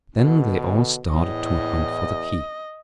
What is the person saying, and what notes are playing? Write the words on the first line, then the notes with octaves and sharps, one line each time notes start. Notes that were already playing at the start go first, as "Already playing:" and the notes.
Then they all started to hunt for the key.
B2 D3
E2 A2 D#5